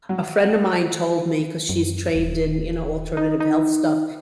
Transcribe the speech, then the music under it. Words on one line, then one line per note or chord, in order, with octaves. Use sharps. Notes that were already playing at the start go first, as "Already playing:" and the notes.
a friend of mine told me- 'cause she's trained in, you know, alternative health stuff-
F#3
F#2
D#1
D#4
D#4